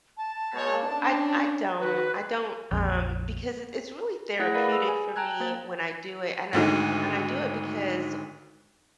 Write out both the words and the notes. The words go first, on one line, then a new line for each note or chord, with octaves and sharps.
No. I I don't. I don't, um, because it's it's really therapeutic for me when I do it, and I and I do it because
A5
G#3 C#5
C#4 D4
D#3 F#4 B4
A#1 F2
A3 E4 G#4 F#5 F#6 A#6
A#4 B4 D5 F5 B5
G#4 E6
G#5
G5 A5 A#5 F#6 G#6
A#3 C5 A6
G#1 D2 D3 D#3